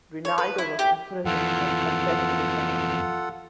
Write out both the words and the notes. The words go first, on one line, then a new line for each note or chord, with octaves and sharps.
Rinaldo was imprisoned and confessed to the crime.
C#5
B4
E4
G4
F2 E3 F4 A4 F#5